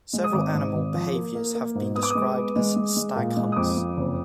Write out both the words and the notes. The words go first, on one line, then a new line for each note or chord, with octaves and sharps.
Several animal behaviors have been described as stag hunts.
G#3
D#6
G#1 D6
G#2
G#1
F3
A#3
A#3
A#3
G#2
B3 D#6
D6
G#3 D#6
B3
G#3
G#3
G#3
A#2
G#3
D#6
F2 D6
F2
F#1